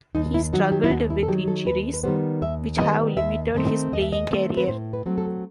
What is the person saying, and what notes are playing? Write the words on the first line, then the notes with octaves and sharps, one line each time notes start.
He struggled with injuries, which have limited his playing career.
D#2 D#4
E4
D#3 F#3 F#4
G4
E4
D#2 F#4
E4
A4
D#3 F#3 G4
A4
D#2 B4
B4
D#3 G3 B3 C5
D#2 E5
D#3 G3 B3 D#5
D#2 E5
D#3 A3 C4
D#2 D#5
E5
D#5
D#3 A3 C4
B4
A2 C5
B4
F#3 A3 C4
A4